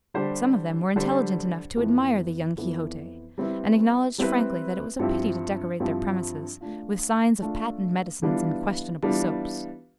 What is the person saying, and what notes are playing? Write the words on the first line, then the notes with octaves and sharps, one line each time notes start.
Some of them were intelligent enough to admire the young Quixote, and acknowledged frankly that it was a pity to decorate their premises with signs of patent medicines and questionable soaps.
D3 G3 D4 G4 C5
D3 G3 D4 G4 C5
F2 E3 B3
F2 E3 B3
G3 C4 E4 B4
G3 C4 E4 B4
G2 F3 C4 E4 G4
G2 F3 C4 E4 G4
A3 D4 F4
A3 D4 F4
E3 G3 B3 D4 F4
E3 G3 B3 D4 F4